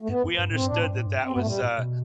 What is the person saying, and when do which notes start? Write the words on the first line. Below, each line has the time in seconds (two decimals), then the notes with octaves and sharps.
we understood that that was, uh,
0.02 A3
0.08 G2 B3
0.24 F#2
0.38 G2
0.50 A2 C4
0.61 G2 D4
0.72 A2
0.79 C4
0.84 G2
0.96 A2
1.06 G2
1.24 C4
1.32 B3
1.36 G2 A3
1.46 A2 G3
1.62 A2
1.78 B2